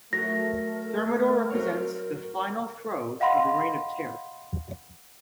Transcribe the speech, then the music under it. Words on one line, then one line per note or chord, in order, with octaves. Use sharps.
Thermidor represents the final throes of the Reign of Terror.
F#3 A3 A#4 A#6
F#3 C4 C#5
D#5 F5 F#5 B5 C6 A#6